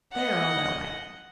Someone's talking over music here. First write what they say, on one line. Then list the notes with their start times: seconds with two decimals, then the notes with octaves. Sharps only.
They are all that way.
0.12 D#5 F#5